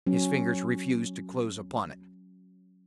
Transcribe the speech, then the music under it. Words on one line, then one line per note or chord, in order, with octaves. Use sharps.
His fingers refused to close upon it.
F#3 C#4